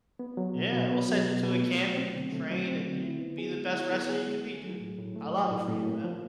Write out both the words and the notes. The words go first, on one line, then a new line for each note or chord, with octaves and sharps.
Yeah. "We'll send you to a camp, and you can train, and you be the best wrestler you could be, dude. I love it for you, man."
B3
F#3
B2
B2
B3
F#3
B2
B2
A3
F#3
C4
D3
A3
F#3
C4
D3
E4
B3
G#4
G#3
E4
B3
G#4
G#3
A3
F#3
A2
A2
A3
F#3
A2
A2
A#3
F3